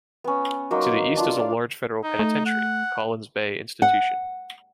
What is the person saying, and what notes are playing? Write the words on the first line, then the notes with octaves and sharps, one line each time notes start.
To the east is a large federal penitentiary, Collins Bay Institution.
B3 C#4
F#3 A#3 D#4 C6
D4 F4
D5 F5
D#4
A3
F#5
F#5